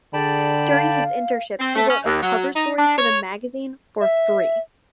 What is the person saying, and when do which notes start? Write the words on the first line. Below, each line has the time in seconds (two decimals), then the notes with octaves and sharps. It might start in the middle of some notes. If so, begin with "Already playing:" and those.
During his internship he wrote a cover story for the magazine for free.
0.14 D3 G#4 D5 G5 A5 B5
0.72 F5
1.60 C4
1.76 A3
1.89 C#4
2.06 D#2
2.22 F#3
2.56 D#4
2.78 D4
2.98 C#5
4.01 E5